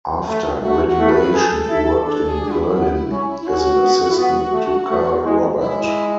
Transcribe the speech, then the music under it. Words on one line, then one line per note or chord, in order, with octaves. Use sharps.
After graduation, he worked in Berlin as an assistant to Carl Robert.
A3
A3 F#4
F#4
A3
B4
G#4 A4
E4
D4 A4
G#4
D4
E4
B3
C#4
E4
C#4 F#4
B3
E4
B3 F#4
A3
A3
G#3
G#3 E4
E4